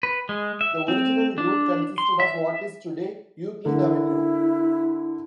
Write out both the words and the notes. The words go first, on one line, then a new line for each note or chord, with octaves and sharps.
The original route consisted of what is today Euclid Avenue.
B4
G#3
E5
C4
D4
C6
E5
D3 E4 A#4